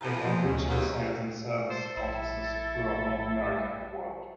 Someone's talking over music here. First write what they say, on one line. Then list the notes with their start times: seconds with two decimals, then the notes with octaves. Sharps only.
It had regional sales and service offices throughout North America and the world.
0.01 E2 A4 A5 A#5
0.24 F3 C5
0.45 D2 F#3 G#3 C#4
0.68 D#2 F#3 G#3 C#4 G4 G#4
1.70 A4 C5
1.97 A#1 E4